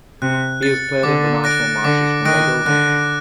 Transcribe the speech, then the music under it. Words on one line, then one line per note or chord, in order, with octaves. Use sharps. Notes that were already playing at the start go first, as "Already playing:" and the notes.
He has played international matches for Moldova.
C3 F#6
A6 C#7
D3 D6
F#6 A#6 D7
D3 D6
D#3 F#6 A#6 D7
D3 F#6